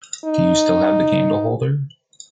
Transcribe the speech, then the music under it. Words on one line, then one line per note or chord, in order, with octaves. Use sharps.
Do you still have the candle holder?
D#4